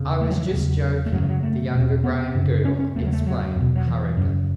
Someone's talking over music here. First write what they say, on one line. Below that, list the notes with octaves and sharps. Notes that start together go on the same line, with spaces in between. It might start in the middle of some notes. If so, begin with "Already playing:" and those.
"I was just joking," the younger Graham girl explained hurriedly.
Already playing: E2 C#3
A3
F#3
E3
F#3
E2 C#3
A3
F#2 C#3 F#3
E3
F#3
A3
E2 B2
B3
F#2 C#3
C#4
C#4
E2 C#3 A3
F#3
A3
F#3
E2 B2
F#3
E3
F#2 C#3 F#3